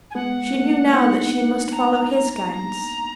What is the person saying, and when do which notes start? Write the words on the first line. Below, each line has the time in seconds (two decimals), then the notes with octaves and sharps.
She knew now that she must follow his guidance.
0.11 G#5
0.15 G#3 B3 F#5
0.54 A#3 D4
0.94 B3 D#4
1.73 A#5
2.51 A#5